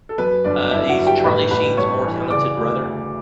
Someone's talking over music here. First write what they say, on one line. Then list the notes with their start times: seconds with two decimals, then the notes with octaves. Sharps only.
uh, he's Charlie Sheen's more talented brother.
0.09 A4
0.18 F#2 B4
0.44 G1 D4 D5
0.71 G1 E4 E5
0.89 F#4 F#5
0.98 G1
1.07 G4 G5
1.24 A1 B4 B5
1.51 A1 B4 B5
1.77 G2 C#5 C#6
2.04 E3
2.30 C#3 D5 D6
2.57 D2
2.83 D2